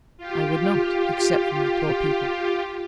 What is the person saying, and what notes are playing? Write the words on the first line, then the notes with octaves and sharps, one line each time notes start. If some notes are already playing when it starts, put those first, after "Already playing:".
"I would not--except for my poor people."
F4 G4